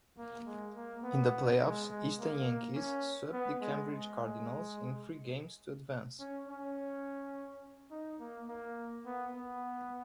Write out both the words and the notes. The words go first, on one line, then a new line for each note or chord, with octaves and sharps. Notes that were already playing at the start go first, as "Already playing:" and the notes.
In the Playoffs Easton Yankees swept the Cambridge Cardinals in three games to advance.
A#3
G#3
A#3
B3
G#3
G#3
A#3
C#4
B3
G#3
G#3
C#4
C#4
D#4
A#3
A#3
B3
B3